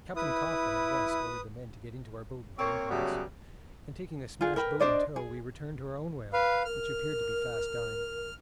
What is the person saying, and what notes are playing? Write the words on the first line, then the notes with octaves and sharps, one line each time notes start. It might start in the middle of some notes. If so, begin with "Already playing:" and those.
Captain Coffin at once ordered the men to get into our boat with their implements, and taking the smashed boat in tow, we returned to our own whale, which appeared to be fast dying.
E4 B4 D#6
A#3 C4 C#5
C#3 F#3 G3 A3 B3
F4 G#4
A#4 B4 G5
D4 C5 D5 D#5
G#4
B4 F5
A#4 F6